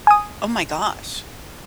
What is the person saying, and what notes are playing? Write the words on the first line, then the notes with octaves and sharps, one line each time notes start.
Oh my gosh.
G#5 D#6